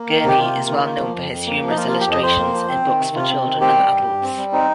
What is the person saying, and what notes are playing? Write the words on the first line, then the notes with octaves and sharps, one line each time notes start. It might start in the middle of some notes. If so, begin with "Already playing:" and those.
Gurney is well known for his humorous illustrations in books for children and adults.
Already playing: A#3
D#3
C3 G4
C3 F4
A#3
D#3
A#3
F3
F2
F2
A#3
F3
D#4
A#3 F4
F4
F3
G4
F2 D#5
F2 C5
A#3
F3
C4
D#3
C3
C3 F4
C4
D#3
C4 G4
G3
G2
G2
C4
G3
C4 D#4